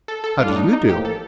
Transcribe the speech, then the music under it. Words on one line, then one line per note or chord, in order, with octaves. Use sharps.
"How do you do?"
A4
A4
A2 G3 D4 F4
D#4
D#4
A1 A2 F3 A#3 G4
A4